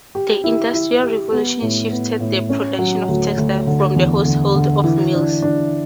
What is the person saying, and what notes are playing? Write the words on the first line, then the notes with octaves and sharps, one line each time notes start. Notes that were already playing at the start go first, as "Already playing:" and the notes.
The Industrial Revolution shifted the production of textiles from the household to the mills.
G4
E4
E4
G4
B3
A2
B3
A2
C#4
F#3
D2
D2
D3
E2
D3
D3
E3
D4
D4